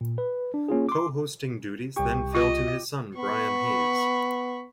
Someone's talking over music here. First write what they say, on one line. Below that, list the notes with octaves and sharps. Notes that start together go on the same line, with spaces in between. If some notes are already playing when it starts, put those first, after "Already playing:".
Co-hosting duties then fell to his son, Brian Hayes.
A#2
B4
D4
A#3 C#4 F4 G#4
C6 D6
C2 G4 C#6
F4 D#5
B3 B5 C#6